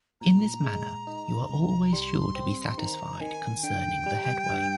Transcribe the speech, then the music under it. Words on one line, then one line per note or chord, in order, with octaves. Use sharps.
In this manner, you are always sure to be satisfied concerning the headway.
A#2 A#5
G#3
D#4
C2
G3 C6
C4
D#3 A#5
D#3 G#5
D3 G5
G3
G2